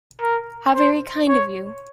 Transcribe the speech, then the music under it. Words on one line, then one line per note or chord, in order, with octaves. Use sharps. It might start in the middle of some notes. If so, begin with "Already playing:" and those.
How very kind of you!
A#4
C5
C#5